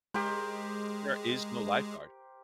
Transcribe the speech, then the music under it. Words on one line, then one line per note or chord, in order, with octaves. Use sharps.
There is no lifeguard.
G#3 G4 A#4 C5